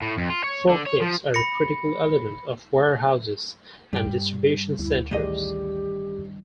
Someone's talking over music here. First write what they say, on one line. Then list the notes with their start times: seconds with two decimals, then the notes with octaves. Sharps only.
Forklifts are a critical element of warehouses and distribution centers.
0.02 A2
0.18 F2
0.30 F4
0.44 C#5
0.69 D3
0.87 C#5
1.02 F3
1.34 B5 A#6 C#7
3.93 G2 G3 G5
4.79 D2 E4
5.11 A1 G2 D#3 G4 G#4 D5 D#5